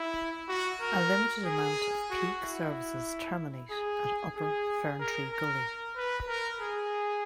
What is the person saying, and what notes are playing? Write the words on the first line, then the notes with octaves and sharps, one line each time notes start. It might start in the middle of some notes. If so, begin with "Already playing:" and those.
A limited amount of peak services terminate at Upper Ferntree Gully.
Already playing: E4
F#4
A#4
G#4
F#4
E4
G#4
G#4
A#4
A#4
B4
A#4
G#4